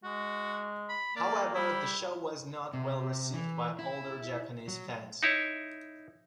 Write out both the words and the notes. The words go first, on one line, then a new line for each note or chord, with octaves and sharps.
However, the show was not well received by older Japanese fans.
G#3 F#4
B5
A#3 D5
G3 E4
C3
E3
E4
F#3
D#4 E4 C#5